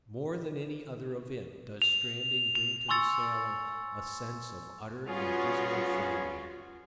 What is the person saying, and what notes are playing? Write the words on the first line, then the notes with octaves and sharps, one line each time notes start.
More than any other event does stranding bring to the sailor a sense of utter and dismal failure.
F7
F7
G#5 C6 C#6 E6 A6 C#7
G3 B3 C#4 F4 F#4 G#4